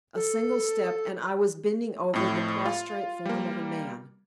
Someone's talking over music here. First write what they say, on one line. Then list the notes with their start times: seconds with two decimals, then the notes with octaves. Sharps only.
A single step, and I was bending over the prostrate form of a man.
0.15 A4
2.14 F2 A2
2.66 F4
3.25 G3 A#3